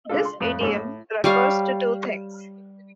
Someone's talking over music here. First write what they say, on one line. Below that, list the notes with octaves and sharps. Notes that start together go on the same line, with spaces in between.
This idiom refers to two things.
C#3 G#3 D4 F4 A4
C6
F2 A2 F#6
A#1 G#2 C#4 A4
A2
G3 C#5 F5